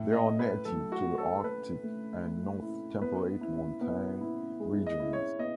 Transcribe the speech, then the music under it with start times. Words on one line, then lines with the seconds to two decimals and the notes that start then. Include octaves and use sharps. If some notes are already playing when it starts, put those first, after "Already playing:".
They are native to the Arctic and north temperate montane regions.
Already playing: A2
0.13 D#5
0.26 A3
0.39 B4
0.65 F#3 A4
0.92 F#4
1.05 A3
1.18 A4
1.44 A3 B4
1.83 A3
2.23 A3
2.62 E4
3.02 B3 B4
3.41 E4
3.81 B3
4.21 E4
4.60 G#3
4.87 D#5
5.00 E4
5.13 C#5
5.39 B3 D#5